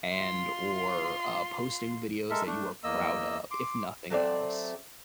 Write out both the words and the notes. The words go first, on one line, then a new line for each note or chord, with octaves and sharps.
and, or, uh, posting videos that you are proud of, if nothing else.
F4 C6
G#3 A4 A#4 E5
A3 D4
E2 A#3 D#5 E6
C6 D6
F#3 A3 C4 D5